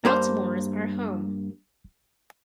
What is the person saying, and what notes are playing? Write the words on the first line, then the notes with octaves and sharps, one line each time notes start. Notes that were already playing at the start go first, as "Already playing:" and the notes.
Baltimore's our home.
G2 A#3 C5